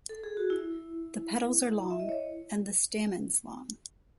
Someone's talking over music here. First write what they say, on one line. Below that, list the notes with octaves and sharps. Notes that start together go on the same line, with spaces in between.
The petals are long and the stamens long.
A4
G#4
F#4
E4
E5
D#5
C#5